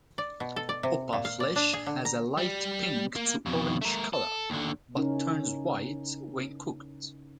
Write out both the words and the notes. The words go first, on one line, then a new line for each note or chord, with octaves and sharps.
Opah flesh has a light-pink to orange color, but turns white when cooked.
D5
B2
A4
D5
C3
A#2
F5
D5
D4
G#4
D3
A#5
G3
A#3
F2 B2
A3 A#4
A4
D#2 D3
C#3 C#4 D#4 E4 A#4